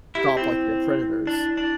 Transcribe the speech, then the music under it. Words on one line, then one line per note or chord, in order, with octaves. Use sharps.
drop, like, their predators.
E4 G4
C4 E4 G4
D4
D4